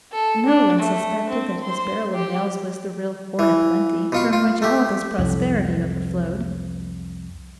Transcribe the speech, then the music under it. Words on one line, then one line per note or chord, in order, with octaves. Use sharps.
No one suspected that his barrel of nails was the real 'Horn of Plenty,' from which all this prosperity overflowed.
A4
D4
A3
C4
C5 C6
G4
E3
B2 F4 C#6
F4
A3 G4
C2 F2